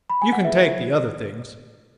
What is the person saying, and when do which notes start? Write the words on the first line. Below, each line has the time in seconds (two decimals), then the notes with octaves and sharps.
"You can take the other things."
0.10 B5
0.22 G#5
0.33 F#5
0.44 E4 G#4 B4 E5